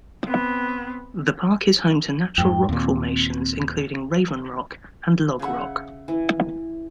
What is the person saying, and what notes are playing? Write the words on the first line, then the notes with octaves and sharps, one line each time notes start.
The park is home to natural rock formations including Raven Rock and Log Rock.
B3 C4
F2 G#2 G5
D#2 A#2 C4
C#3 G#4 E5 F#5
E3